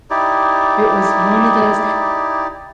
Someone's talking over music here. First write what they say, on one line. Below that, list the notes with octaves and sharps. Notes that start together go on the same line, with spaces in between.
It was one of those
D#4 E4 G4 D5